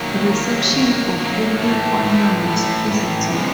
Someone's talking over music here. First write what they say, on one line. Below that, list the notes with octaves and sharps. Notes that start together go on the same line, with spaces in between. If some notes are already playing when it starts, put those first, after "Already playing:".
Reception for "Purple Onion" was positive.
Already playing: D#3 F#3 A#3
D#3 F#3 A#3
D#3 F#3 A#3
D#3 F#3 A#3
A2 E3 A3
A2 E3 A3
A2 E3 A3
A2 E3 A3
C#3 F3 G#3 B3